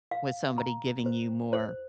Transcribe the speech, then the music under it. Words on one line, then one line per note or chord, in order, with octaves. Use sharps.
with somebody giving you more,
F5
A#5
C5
C5